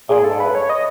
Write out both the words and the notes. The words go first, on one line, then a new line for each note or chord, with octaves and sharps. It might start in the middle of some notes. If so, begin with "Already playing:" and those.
Oh, wow.
G#4
A4
B4
C#5
D#5